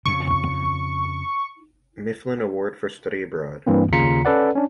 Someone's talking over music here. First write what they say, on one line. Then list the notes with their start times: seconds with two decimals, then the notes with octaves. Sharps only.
Mifflin Award for study abroad.
0.06 F2 C#3 C#6
3.67 G2 E3 A#3 C4
3.93 D#2 C#3 F4 A#5 B6 C#7
4.25 C#4 A4 B4 D5 F#5
4.55 C#4 D4